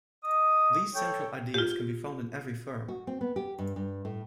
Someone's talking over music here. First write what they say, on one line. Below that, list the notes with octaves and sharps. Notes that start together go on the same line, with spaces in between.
These central ideas can be found in every firm.
D#5 D#6
A4 C#5 G5
F4 G4
F#4
C4
B3
G4
G2
G2
A2